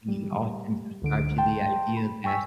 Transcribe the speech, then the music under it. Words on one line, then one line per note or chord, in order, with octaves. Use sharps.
we often subscribe to the idea that,
G3
C#2 D3 D7
G5 A5 C6
B5
G5 G#5 C#6 E6 B6